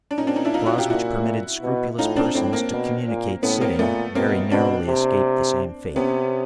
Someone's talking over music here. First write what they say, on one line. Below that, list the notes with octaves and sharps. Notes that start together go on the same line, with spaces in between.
The clause which permitted scrupulous persons to communicate sitting very narrowly escaped the same fate.
D4
A#2 C#4 D#4
C4 D4
C#4 D#4
D4 E4
D#4 F4
E4 F#4
F4 G4
A#2 E4 F#4
B2
A2 D#4 F4
C4 D4
A2 C4 D4
A#3 C4
B2
A#2
A2 B3 C#4
A#3 C4
A#2 A3 B3
B2 A#3 C4
B2 C4 D4
C3
C3 B3 C#4